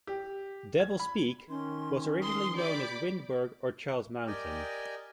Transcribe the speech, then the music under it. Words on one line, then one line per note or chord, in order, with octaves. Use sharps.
Devil's Peak was originally known as Windberg or Charles Mountain.
G4
G#6
B5
D#3 C#4 C6
C6 D#6
G4 D5 B5
G4 A#4 D5 D#5 G5 G#5